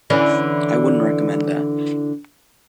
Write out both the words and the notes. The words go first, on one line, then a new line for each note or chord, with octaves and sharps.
I wouldn't recommend that.
D3 E3 C#4